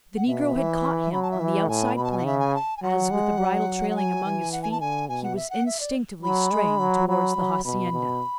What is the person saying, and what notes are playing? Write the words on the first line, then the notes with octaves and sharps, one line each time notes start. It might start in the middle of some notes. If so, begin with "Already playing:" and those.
The negro had caught him, on the outside plain, as, with the bridle trailing among his feet, he was instinctively straying towards the hacienda.
F#5
B2 E5
E3
F#3 B5
A5
E5
E3
F#5
A2 G#5
B2 B5
A5
G#5
F#5
C#3 E5
G#5
A5
G#5
F#3 F#5
G#3
F#3
F#5
G#5
E3
F#5
G#5
A5
D3 G#5
B2 G#5
F#5
E5
F#5
E5
D5
F#3 B5
G#3
F#3
F#3 B5
F#3
B2 B5
B2